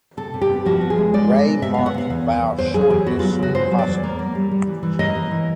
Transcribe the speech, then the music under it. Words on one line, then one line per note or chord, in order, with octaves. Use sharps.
Ray marked vowel shortness when possible.
C3 A4
C3
G4
B3
F3 F#4
B3
G#4
G#3
G#3 D5
C3
D#5
B3
C3 E5
B3 F5
F#5
C3 F5
E2
B3
E2
E2 C5
F#3 G#4
E2 G4
B3 F#4
F4
F#3
F4
C#3 F#4
B3 C5
F#3
D5
E2
A#3
A#3
G3
G3
E3
E3
A#3 D#5
E3
E3